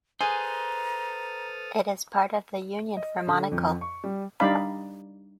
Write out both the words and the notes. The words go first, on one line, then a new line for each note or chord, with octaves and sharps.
It is part of the Union for Monaco.
G#4 A4 B4 C5 A#5 D#6 F6
D#5
D3
F2
C#6
G3
G3 D4 D#4 D5 F5 B5